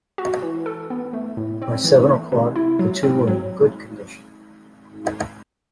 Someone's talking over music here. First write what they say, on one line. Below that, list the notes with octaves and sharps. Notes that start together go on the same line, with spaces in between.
By seven o’clock the two were in good condition.
F#4
E3
A4
B3
A3
A2
C4
E3
A3
C3
E4
F#3
C4
F#3